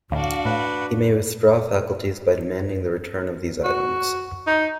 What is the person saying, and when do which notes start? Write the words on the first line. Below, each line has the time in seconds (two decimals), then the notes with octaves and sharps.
He may withdraw faculties by demanding the return of these items.
0.12 D2 A2 D4 F#4 F5
0.45 A2 B4
3.64 F#4
4.47 D#4